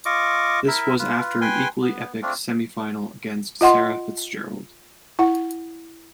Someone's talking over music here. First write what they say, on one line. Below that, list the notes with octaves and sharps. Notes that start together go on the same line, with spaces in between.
This was after an equally epic semi-final against Sarah Fitz-Gerald.
F4 D#5 C#6 D6
E4 A#4 E5
F4 B4
B4 G5 G#5 C6
B3
A3 C4 D4 F4
F4 D#5 F#5 C6
E4 F#5